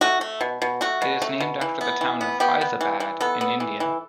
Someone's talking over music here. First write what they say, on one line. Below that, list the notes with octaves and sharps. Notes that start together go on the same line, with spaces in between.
It is named after the town of Faizabad in India.
A3 F#4
A3
B2
B2
A3 F#4
B2
A3
B2
E3
B3
E3
B3
B3 G4
B3
E3
E3
B3 A4
B3
E3
E3